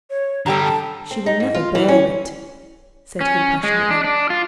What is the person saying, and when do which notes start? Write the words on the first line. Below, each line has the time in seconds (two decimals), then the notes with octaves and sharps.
'She will never bear it,' said he passionately.
0.10 C#5
0.46 D3 G3 G4 A4 G5 A#5
0.64 A5
1.11 C4
1.26 D#4
1.40 G#2
1.54 F4
1.75 E3
1.88 C#4
3.21 C#4
3.63 G#3
3.91 D4
4.04 D4
4.30 F4